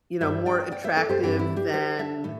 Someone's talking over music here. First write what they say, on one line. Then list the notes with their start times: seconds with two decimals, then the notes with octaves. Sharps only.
you know, more attractive than,
0.21 G2 G3 D4 C5 E5
0.46 D5 G5
0.72 D5 G5
0.84 C5 E5
0.97 A4 D5
1.09 G4 C5
1.23 G2 E3 C4 D4 G4
1.39 E4
1.56 D4 G4
1.73 G4 C5
1.99 E5 A5
2.24 A2 A3